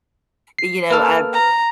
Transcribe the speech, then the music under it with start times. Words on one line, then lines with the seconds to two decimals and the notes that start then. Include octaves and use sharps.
and you know, I
0.59 C7
0.91 A#3 A4 B4 F6
1.33 A#5